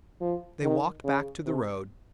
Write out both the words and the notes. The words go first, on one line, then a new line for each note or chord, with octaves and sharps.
They walked back to the road.
F3
D#3
C#3
C3